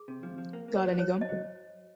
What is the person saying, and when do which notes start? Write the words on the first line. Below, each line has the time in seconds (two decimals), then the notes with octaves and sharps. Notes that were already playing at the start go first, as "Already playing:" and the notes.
Got Any Gum?
Already playing: G#4
0.08 C3
0.23 F3
0.38 F3
0.53 A#3
0.68 A#3
0.76 C#5
0.84 F#3
0.93 C5
0.99 F#3 C#5
1.14 F#3
1.21 D#5
1.29 F#3